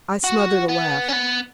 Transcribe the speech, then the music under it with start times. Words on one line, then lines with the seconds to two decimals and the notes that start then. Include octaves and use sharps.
I smothered a laugh.
0.24 F#4
0.68 B3
1.09 C#4
1.13 B3